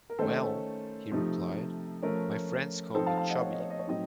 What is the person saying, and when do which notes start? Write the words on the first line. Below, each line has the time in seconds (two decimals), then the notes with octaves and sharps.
"Well", he replied, "my friends call me 'Chubby'".
0.10 A#4
0.19 D#3 A3 C#4 A4 C5
1.12 C3 F3 A3 D#4
2.03 F3 A3 C#4 A#4
2.94 F3 C4 D#4 A4 C5
3.06 F5 A5
3.17 F5 A5
3.30 D#5 F#5
3.41 C#5
3.51 D#5
3.60 C#5
3.70 D#5
3.79 C#5
3.87 A2 F#3 C4 D#4 D#5